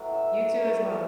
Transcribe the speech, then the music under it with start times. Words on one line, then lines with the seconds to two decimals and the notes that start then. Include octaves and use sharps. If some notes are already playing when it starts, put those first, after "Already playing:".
You too as well.
Already playing: A2 F#3 A3 B4 D5
0.11 E5
0.33 D5
0.48 D5
0.63 C#5
0.77 A2 E3 G3 B4